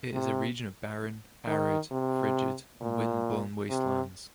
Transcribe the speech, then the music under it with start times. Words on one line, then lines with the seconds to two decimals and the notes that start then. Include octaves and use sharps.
It is a region of barren, arid, frigid and wind-blown wastelands.
0.14 C3
1.47 D#3
1.92 C3
2.81 A#2
3.70 C3